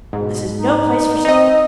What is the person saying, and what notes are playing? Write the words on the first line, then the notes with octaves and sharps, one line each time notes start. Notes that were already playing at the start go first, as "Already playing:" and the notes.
This is no place for sentiment.
G#2 B2
D#4
C4 D#4 D#5